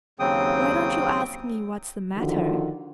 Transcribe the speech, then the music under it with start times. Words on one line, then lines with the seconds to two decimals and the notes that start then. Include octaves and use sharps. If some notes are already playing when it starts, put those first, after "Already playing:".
"Why don't you ask me what's the matter?"
0.19 D#2 C#3 F#3 C4 G5 D#6
2.15 D3 D#3 F3 F#4